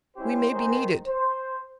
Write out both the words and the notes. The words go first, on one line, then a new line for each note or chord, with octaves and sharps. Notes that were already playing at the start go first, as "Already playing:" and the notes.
"We may be needed."
G#3 C#4 E4 G4 C5
B1 D#3 G#3 D#4 G#4 C5
C5